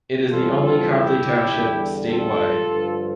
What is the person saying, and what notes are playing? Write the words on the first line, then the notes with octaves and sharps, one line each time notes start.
It is the only Copley Township statewide.
F2 E3 G3 F4 A4
F4 A4
E4 G4
E2 D3 G3
F4 A4
G2 D3 F3